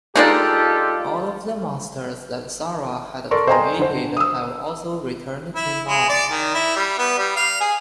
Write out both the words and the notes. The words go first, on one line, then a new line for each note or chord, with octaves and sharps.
All of the monsters that Sarah had created have also returned to normal.
G#3 A#3 D4 D#4 F4 G4 A4 D5
A4 A#4 D5 C6 C#6
C5 D#5 G5 G#5 A#5 C6
D3 C5
D#6 E6
E4
G#3
D5
D#3
E4
G3
B3
G3
F5
G#4